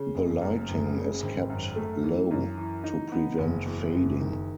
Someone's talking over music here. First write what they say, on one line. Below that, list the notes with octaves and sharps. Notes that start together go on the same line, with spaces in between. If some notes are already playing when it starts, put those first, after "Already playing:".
The lighting is kept low to prevent fading.
Already playing: C#3
F#1
F#2
F#1
C#3
G#1
F#2
A3
E3
F#2
E3
D#4
B3
F#1
E2
F#1
D#3